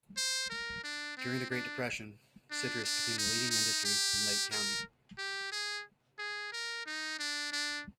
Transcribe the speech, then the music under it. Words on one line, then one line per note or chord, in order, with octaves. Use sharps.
During the Great Depression, citrus became the leading industry in Lake County.
C5
A#4
D4
C4
D4
D4
D4
D#4
D#4
G4
A#4
G4
G#4
G#4
A#4
D#4
D4
D4